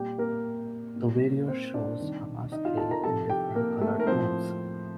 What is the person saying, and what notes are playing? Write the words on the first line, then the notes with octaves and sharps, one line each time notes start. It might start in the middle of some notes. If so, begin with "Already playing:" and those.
The video shows Hamasaki in different colored rooms.
Already playing: A#2 G3 G4 G5
A#3 A#4
A#2 G3
C4 C5
D4 D5
C3 D#3 G3
D#4 D#5
F4 F5
A4 A5
A#4 A#5
C3 F3 A4 A5
G4 G5
A#3 A#4
A3 A4
A#4
A2 F3 C4 C5